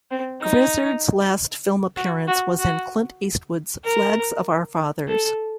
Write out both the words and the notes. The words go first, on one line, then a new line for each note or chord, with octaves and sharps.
Grizzard's last film appearance was in Clint Eastwood's "Flags of Our Fathers".
C4
D#4
F#4
F#4
F#4
A#4
A4